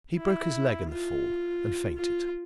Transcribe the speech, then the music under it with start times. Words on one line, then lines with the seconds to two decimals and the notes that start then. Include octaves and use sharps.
He broke his leg in the fall, and fainted.
0.18 E4
0.90 F4
1.97 F4